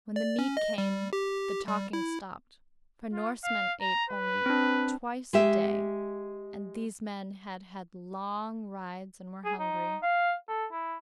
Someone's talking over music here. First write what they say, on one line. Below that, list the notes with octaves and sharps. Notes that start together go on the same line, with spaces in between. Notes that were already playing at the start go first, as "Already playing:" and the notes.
When the meat came, the talking stopped; for Norsemen ate only twice a day, and these men had had long rides and were hungry.
D5
C#4
D#5
G3
G4
G3
E4
F4
F5
A#5
B4
C4 D4
G#3 G4 E5
G#4
D#4
F5
A4
E4